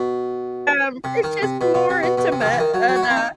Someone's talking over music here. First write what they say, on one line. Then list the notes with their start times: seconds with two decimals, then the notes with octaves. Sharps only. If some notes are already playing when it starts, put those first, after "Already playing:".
um, it's just more intimate and, uh,
Already playing: B2
1.04 C3
1.23 D#3
1.42 C3
1.61 B2
1.74 B2
1.89 C3
2.03 B2
2.18 B2
2.32 C3
2.41 D#3
2.45 C3
2.53 E3
2.60 D#3
2.74 F#3
2.89 F#3
2.96 F#4
3.03 E4
3.10 C4
3.17 D#4